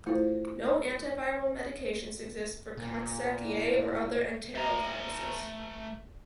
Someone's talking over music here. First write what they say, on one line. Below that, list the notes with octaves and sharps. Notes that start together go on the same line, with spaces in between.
No Antiviral medications exist for Coxsackie A or other Enteroviruses.
A3 E4 F4 A4 C5 F5
A#2
A2
A3 A#5